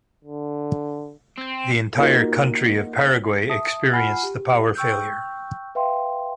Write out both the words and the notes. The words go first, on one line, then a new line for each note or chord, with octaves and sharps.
The entire country of Paraguay experienced the power failure.
D3
C4
A#3 D#4 F4 F#4 A#4
E5 A5 D#6
F4 F#5 G#5 B5 F6 C7
G4
G5 C#6 E6 F#6 G6
B4 E5 F5 G5 C6